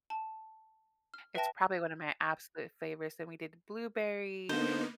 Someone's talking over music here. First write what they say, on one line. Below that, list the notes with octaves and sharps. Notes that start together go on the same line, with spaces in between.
It's probably one of my absolute favorites. Then we did blueberry,
A5
F6
B4 E5 G5 A5 A#6
D3 A#3 B3 D#4 C5